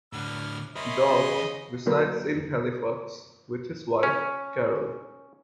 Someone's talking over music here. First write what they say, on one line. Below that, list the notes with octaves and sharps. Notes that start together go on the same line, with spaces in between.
Dodds resides in Halifax with his wife, Carol.
A2 D3 B4 F6
A#4 C#5 D#5 E5 B5 C6
C#3 E3 C5
D3 F#3 A#3 F#4 A#4 B4
C#4